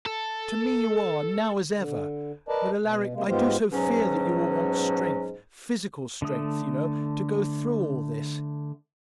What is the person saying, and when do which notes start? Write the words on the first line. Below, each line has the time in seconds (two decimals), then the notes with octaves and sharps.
'To me you are, now as ever; but, Alaric, I do so fear that you will want strength, physical strength, you know, to go through all this.
0.06 A4
1.76 D3
2.48 A#4 B4 D5 D#5 A5
2.83 B2
3.14 C3 G#3 A#3
3.29 G#2 G#3 B3 F4 G4 C5
3.72 G#2 B2 F#3 C#4
6.22 D3 A3 D#6